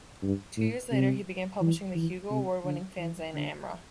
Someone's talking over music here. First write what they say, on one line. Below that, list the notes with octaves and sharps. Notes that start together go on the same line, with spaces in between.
Two years later, he began publishing the Hugo Award-winning fanzine "Amra".
G2
A2
C3
E3
E3
C3
D3
E3
D3